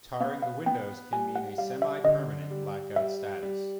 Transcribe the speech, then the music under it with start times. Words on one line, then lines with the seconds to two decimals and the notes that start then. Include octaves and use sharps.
Tarring the windows can mean a semi-permanent blackout status.
0.20 B3 F5
0.42 F5
0.66 B3 G5
1.12 G3 G#5
1.36 F#5
1.58 G3 F5
1.82 E5
2.04 D3 D#5
2.51 G3
2.96 G3 E5
3.43 G3